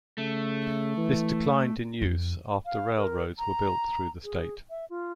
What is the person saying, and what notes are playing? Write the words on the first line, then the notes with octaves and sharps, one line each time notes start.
This declined in use after railroads were built through the state.
C#3 A3
E3
F2
F5
A#4
A#5
G#4
E5
F4